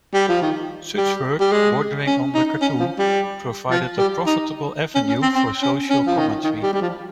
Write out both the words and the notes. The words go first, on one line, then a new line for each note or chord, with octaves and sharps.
Such work, bordering on the cartoon, provided a profitable avenue for social commentary.
G3
F3
D#3
G3
G3
G#3
C#4
D#4
C#4
F3
G3
F3
G3
D#4
C#4
C#4
C4
C4
C#4
C#4
F3
D#3
D#3
G3
G3
F3